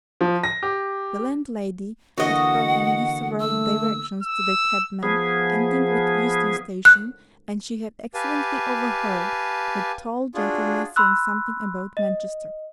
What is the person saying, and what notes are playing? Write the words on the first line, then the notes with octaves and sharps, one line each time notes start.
The landlady had heard them give several directions to the cabman, ending with Euston Station, and she had accidentally overheard the tall gentleman saying something about Manchester.
F3
A#6
G4
D3 E3 A#3 F#4 D#5 F#5
A3 E6
E6
F3 B3 G#4
F#6
G4 B4 F5 G#5 A5
D4 F4 F#4 G#4
B5 C6 E6 F#6
D#5